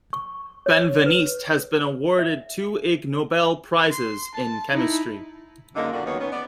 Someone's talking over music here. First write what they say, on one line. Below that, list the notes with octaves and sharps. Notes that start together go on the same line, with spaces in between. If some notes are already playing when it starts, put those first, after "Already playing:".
Benveniste has been awarded two Ig Nobel Prizes in Chemistry.
C#6
C#5
B4
E5
C6
A5
D#4 E4
F#2 D3 G#3 A#3 D#4
F#2 A#2 D3 F#4
D#2 D#3 F#3 B3 C#5
D#3 B3 C#4
B3 D5